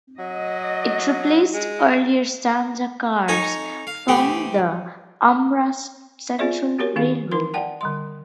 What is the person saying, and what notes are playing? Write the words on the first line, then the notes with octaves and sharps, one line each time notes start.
It replaced earlier Stanga cars from the Umbra Central Railroad.
F#3 D#5
G#3
D#4 A4 C#5 D#5 G#5 A#5
F5
E3 A3 C4 G4 D#6
B3 F4 G#4 C5 D5 E5
B3 F#4 G4 A#4 C#5
D#3 C4 D#4 G#4 F5
D#4 A#4 C6
D5 F#5 G5 A5
D3 G3 C6